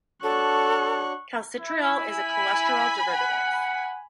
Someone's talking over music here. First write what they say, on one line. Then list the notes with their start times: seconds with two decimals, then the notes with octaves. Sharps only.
Calcitriol is a cholesterol derivative.
0.23 D4 F#4 A4 C#5 C#6 F#6
1.58 E4
1.99 G#5 B5
3.06 F#5